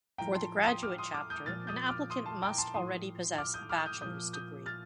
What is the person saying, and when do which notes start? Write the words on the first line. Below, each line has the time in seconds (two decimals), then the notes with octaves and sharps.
For the graduate chapter, an applicant must already possess a bachelor's degree.
0.18 A2 F3 G5 A#5
0.35 A5 C6
0.66 C6 D#6
0.83 D6 F6
0.98 C6 D#6
1.14 D6 F6
1.30 D#6 G6
1.46 A#2 F3 F6 A6
1.67 D#6 G6
1.89 D6 F6
2.10 C6 D#6
2.26 A5 C6
2.42 G5 A#5
2.58 A5 C6
2.74 A2 F3 C6 D#6
3.38 D6 F6
3.54 D#6 G6
3.69 D6 F6
3.86 D#6 G6
4.01 A#2 F3 D#6 G6
4.33 D#6 G6
4.66 F6 A6